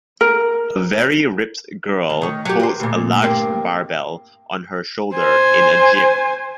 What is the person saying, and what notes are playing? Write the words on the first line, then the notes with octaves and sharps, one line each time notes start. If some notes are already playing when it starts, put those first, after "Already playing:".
A very ripped girl holds a large barbell on her shoulder in a gym.
A#4
D2
D#3 C#5
F#3 G4
A#4 C5
D2 A#2
G2 A#3 C4
C5 G#5